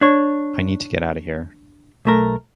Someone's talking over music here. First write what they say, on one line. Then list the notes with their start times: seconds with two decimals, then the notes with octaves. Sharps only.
I need to get out of here!
0.01 D4 C#5
2.05 B1 A3 A#4